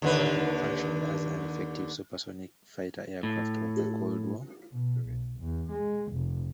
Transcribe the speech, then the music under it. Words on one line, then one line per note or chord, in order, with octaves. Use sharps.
The Draken functioned as an effective supersonic fighter aircraft of the Cold War period.
D#2 D3 B4
A2
B2
B1
E2
G#3
F1